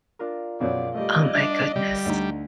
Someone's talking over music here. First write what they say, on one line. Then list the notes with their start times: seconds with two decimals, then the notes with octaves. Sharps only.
Oh my goodness.
0.19 D4 F4 A#4
0.60 F#2 B2 F3 F#3 G#4 D5
0.95 G3 A3 D5 D#5
1.35 G3 D4 E5
1.76 D3 G3
2.05 D2 D#4 A#5